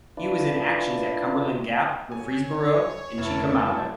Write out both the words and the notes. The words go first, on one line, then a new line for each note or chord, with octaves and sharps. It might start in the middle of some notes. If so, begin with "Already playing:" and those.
He was in actions at Cumberland Gap, Murfreesboro, and Chickamauga.
D4 E4 F4 B4 D5
C#5 G#5
F1 A3 E4 A5